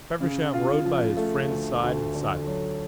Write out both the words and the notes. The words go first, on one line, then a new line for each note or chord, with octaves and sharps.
Feversham rode by his friend's side in silence.
C#3
F4
F3
A3
D2
D2
D3
F#3